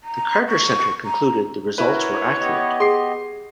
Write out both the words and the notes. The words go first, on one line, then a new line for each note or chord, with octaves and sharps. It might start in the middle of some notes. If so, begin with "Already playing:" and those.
The Carter Center concluded the results were accurate.
A#5
C#6
A#5
E4 F#4 A#4 B4 C#5
B3 G4 D#5
G#4 C6 C7